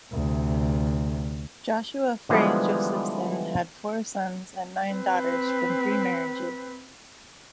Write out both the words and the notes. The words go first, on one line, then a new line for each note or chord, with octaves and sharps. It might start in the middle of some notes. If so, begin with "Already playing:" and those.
Joshua Frey Josephson had four sons and nine daughters from three marriages.
D2 C3
D3 E3 F3 G3 G#3 B3
C4 B4